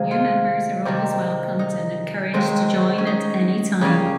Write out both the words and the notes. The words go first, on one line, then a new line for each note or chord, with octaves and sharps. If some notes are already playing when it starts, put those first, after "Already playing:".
New members are always welcomed and encouraged to join at any time.
Already playing: C3 D#3 G#3 G#4 F5
F4
C3 D#3 G3
D#4
D#2 D#3 G#3 C4
C#4
D#4
C#3 G3 A#3 C#4